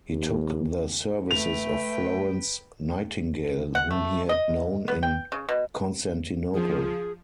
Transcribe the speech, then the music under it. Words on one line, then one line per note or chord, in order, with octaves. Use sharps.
He took the services of Florence Nightingale whom he had known in Constantinople.
D#2
A3 B4 G5 F7
F#5
A3
D#5
B3
G5
C#3
B2
F3 G#4